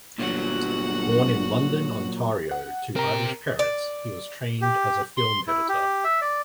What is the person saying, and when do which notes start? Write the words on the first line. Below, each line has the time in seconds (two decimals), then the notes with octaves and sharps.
Born in London, Ontario, to Irish parents, he was trained as a film editor.
0.19 G1 A#2 F#3 F#4 F#5
2.51 F#5
2.96 C4 G4 A#4 A#5
3.59 D5
4.62 G4
5.17 C6
5.47 E4
5.69 G4
6.04 E5
6.21 D5